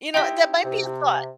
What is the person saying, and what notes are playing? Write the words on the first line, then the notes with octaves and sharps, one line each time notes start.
You know, that might be a thought.
D#4 E4 G4 G5 C6 B6
C3